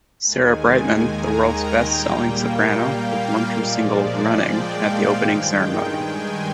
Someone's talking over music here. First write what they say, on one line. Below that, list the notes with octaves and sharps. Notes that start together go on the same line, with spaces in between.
Sarah Brightman, the world's best-selling soprano, performed her single "Running" at the opening ceremony.
D#2 D#3 G#3 G#5
A#5
G5
A#2 G3 A#3
F5
A#2 F3 G#3 D5
G5
F5
G2 D#3 G#3 G5
G#5